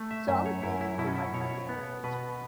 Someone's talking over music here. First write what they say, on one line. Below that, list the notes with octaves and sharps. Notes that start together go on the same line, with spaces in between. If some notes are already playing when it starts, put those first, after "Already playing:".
So, I would think in like a marriage
Already playing: A3
E5
F#2 E5
C#5
F#2 E4
E4
B2 E4
C#4
E4
B2 C#5
B3
B2 B4